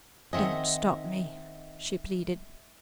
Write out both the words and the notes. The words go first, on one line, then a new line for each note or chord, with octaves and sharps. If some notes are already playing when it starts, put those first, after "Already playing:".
"Don't stop me," she pleaded.
D#3 C4 G#4 D#5 E5 F#5